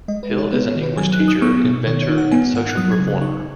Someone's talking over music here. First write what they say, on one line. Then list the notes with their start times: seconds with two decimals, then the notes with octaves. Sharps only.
Hill is an English teacher, inventor and social reformer.
0.08 G#3 D#5
0.23 B4
0.31 D#4
0.38 C#5
0.52 B3 B4
0.68 C#5
0.76 D#3
0.83 B4
0.98 F#3 G#5
1.13 F#6
1.20 D#4
1.28 D#6
1.42 B3 C#6
1.65 B2
1.87 D#3 C#5
2.02 C#5
2.09 D#4
2.18 F#5
2.32 B3 G#5
2.54 G#2 F#5
2.69 F#6
2.77 F#3 D#6
2.92 G#6
2.99 C#3
3.07 F#6
3.21 D#4 C#6